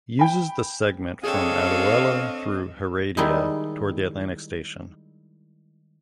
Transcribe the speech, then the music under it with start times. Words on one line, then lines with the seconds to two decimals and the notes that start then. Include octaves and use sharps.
Uses the segment from Alajuela through Heredia toward the Atlantic station.
0.19 G5 B5
1.23 C4 D4 G#4 A4 C#5 D#5 F5 G5
3.17 D#3 G3 G#3 D#4 E4